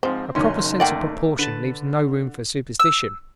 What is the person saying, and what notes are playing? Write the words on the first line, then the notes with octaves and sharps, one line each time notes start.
A proper sense of proportion leaves no room for superstition.
G#2 F3 C4 C5
F#1 F#2 D#3 C#4 C6
A3 A#3 D5 D#5 F#5 G5
D3 B4 A5
E6